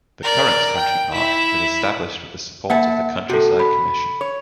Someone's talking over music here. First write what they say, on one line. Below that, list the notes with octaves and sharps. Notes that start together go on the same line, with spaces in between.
The current country park was established with the support of the Countryside Commission.
A#4 D5
G5
E4 E5
A#3 E5 F#5 A5
C3 F#4 A4
B5
C#5